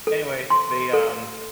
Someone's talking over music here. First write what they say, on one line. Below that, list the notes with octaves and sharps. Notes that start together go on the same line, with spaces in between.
anyway, they, um
A4
C6
A4